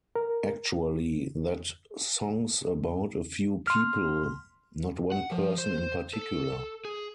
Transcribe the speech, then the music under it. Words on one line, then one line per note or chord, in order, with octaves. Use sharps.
Actually, that song's about a few people, not one person in particular.
A#4
C6 F6
F#5
F3
C5
A4
G#4